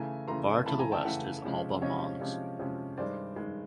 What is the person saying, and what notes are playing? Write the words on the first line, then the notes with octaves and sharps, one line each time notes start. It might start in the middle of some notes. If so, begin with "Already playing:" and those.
Far to the west is Alba Mons.
Already playing: C#3 E3 A3 G#5 A#5
C#3 E3 A3 A#5 C6
C#3 E3 A3 A5 B5
G#5 A#5
G5 A5
C#3 E3 A3 E5 F#5
C3 F3 G#3 C#4
C3 F3 G#3 C#4 C#5 D#5
C3 F3 G#3 C#4
C3 F3 G#3 C#4
G2 D#3 G#3 C5 D5
G2 D#3 G#3